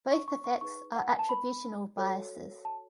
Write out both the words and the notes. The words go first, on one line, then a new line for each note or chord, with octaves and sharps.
Both effects are attributional biases.
C#6
C#6
C#6
D#4 G#4 B4 C#6
F#5
G#5
A5
B5
F#4 A4 C#5
A5